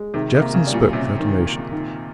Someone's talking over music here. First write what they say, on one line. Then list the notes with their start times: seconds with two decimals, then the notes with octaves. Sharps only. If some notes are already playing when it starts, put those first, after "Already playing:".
Jackson spoke without emotion.
Already playing: G#3
0.14 C3 D#3
0.35 C3
0.41 A#3
0.54 C#3
0.67 G3
0.74 A#2
0.93 C3 C#4
1.20 D#3
1.46 A#3
1.72 D#3